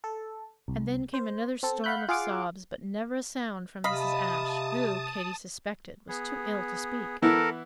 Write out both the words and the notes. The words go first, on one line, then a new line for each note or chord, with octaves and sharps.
And then came another storm of sobs, but never a sound from Mrs. Ashe, who, Katy suspected, was too ill to speak.
A4
C2
C5
C4 A4
F5 F#5 B5 F#6 G6
F4 G#4 F5 F#5 D6
C3 D#5 F5 A5 B5 D#6
B3 G#4
E3 B3 E4 A4 A#4